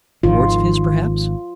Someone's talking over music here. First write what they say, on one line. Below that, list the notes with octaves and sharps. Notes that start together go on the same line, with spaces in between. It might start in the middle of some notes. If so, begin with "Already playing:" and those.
Wards of his, perhaps?
G#1 D#3 F3 F4